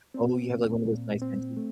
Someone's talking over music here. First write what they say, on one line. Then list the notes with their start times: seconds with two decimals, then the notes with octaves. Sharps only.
Oh, you have, like, one of those nice vintage
0.14 C4
0.50 A#2
0.86 A#2
1.22 C4
1.57 A3